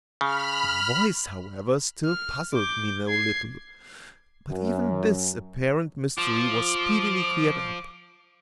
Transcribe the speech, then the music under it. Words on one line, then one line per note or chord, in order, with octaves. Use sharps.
The voice, however, still puzzled me no little; but even this apparent mystery was speedily cleared up.
C#3 B5 F6
F6
D6 G6
G#6 C7
F#2
F3 D6